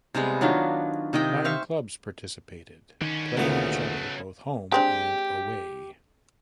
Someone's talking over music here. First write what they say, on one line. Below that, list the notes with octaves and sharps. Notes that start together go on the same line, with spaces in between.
Nine clubs participated playing each other both home and away.
C3 G3 G#3 B3
D#3 F#3 D4 F4
C3 D#3 D#5 G5
C5 E5 F5 C#6
D3 D#3 C#4
D2 A#2 C#3 F#3 A3 B3 F5 D#6
G#3 C4 D4 G4